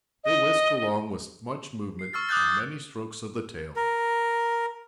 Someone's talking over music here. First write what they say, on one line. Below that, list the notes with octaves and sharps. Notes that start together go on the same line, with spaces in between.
They whisk along with much movement and many strokes of the tail.
D#5
C7
C#6 E6 F6 A6
D6 D#6 F#6 G6 A6
A#4